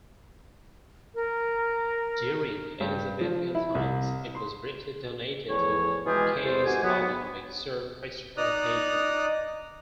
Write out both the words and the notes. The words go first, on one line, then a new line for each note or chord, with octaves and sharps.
During Elizabethian times, it was briefly donated to Caius College by Sir Christopher Heydon.
A#4
G2
F3
E4
C2
C6
E2 A2 F3 C#5
B2 E3 G#3 F4 G4 G#4
E2 C3 A4 C5
G#2 F#4 G4 G#5
F#3 B3
D#4 D5 A#5 D#6 F#6